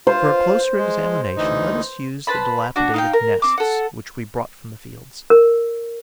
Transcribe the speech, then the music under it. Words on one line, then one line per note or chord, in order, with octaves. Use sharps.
For a closer examination, let us use the dilapidated nests which we brought from the fields.
F4 C5
G#3
D2 E3 D#4
B4 C5 A5 B5
D4 F#4
D#4 F5 G5
A#4
C4 D6
A4 F#5
A#4